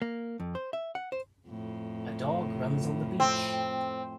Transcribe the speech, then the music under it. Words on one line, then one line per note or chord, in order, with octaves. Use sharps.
A dog runs on the beach.
A#3
F2
C5
E5
F#5
C5
F2 A2
C4